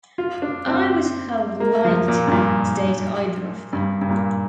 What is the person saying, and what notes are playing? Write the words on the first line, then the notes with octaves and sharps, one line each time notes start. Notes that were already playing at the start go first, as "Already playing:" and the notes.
I would have liked to date either of them.
F4
D4
C4
A#3
F3
A#2
G2
A#2
G2
G2
A#2